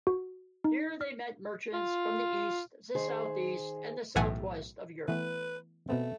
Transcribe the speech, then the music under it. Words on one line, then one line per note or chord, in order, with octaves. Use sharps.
Here they met merchants from the east, the southeast and the southwest of Europe.
F#4
D#4
F6
F4
D#3 G#4 C5
B1 A2 E3 F#5 G#5
E3 A3 B3 B4
B2 A3 B3 C4